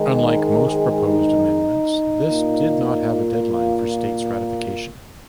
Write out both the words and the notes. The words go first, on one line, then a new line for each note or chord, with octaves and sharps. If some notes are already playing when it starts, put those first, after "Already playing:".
Unlike most proposed amendments, this did not have a deadline for state's ratification.
Already playing: G#2 D#3 G#3 D#4
A#4
G#4
D#4
A#2 A#3
F4